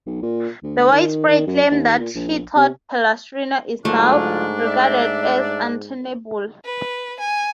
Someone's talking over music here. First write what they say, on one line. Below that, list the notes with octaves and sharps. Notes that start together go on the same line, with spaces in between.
The widespread claim that he taught Palestrina is now regarded as untenable.
B1
A#2
D2
D#3
D#3
F#2
D#2
A#2
A#1
C3
G#2 D3 F#3 A3 D4 F4
D5 E5
B4
G#5